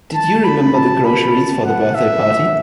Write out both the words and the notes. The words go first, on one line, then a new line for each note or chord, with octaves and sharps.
Did you remember the groceries for the birthday party?
A5
B5
A5
B5
A5
F#5
E5